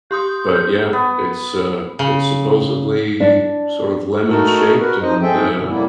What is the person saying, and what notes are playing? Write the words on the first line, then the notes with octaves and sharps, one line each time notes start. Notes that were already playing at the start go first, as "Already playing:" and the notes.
But, yeah, it's, uh, it's supposedly sort of lemon shaped, and, uh,
G4 C6 D#6 G6
B3
C#3
D4
A3 D#4 F#4 A4 A#4
F#4 A#4 B4
F3 D#4 C5 D#5
G#2 C4 G#4 A4 E5 G5
G#2 B2 D3 E3
A2 C3 G3 A#3 B3 E4